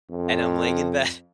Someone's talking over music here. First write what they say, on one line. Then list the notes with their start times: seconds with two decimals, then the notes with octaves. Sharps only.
and I'm laying in bed
0.11 F2